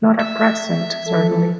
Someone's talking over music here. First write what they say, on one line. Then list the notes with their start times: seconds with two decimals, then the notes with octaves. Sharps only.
Not at present, certainly.
0.20 E5
1.07 F3 A4